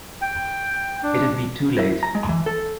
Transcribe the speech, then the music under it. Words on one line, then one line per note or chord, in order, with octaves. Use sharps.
It'd be too late.
G5
D4
E4
A#5
G#3
E3
A4